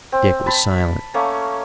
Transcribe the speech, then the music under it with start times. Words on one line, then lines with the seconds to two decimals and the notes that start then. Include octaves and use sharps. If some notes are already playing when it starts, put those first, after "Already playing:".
Dick was silent.
0.12 C4
0.46 A5 B5
1.14 A3 A#3 C#4